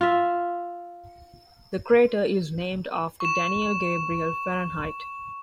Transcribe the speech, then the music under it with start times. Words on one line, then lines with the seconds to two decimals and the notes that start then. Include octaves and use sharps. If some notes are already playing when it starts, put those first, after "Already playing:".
The crater is named after Daniel Gabriel Fahrenheit.
0.01 F4 E5
3.20 C#6 E7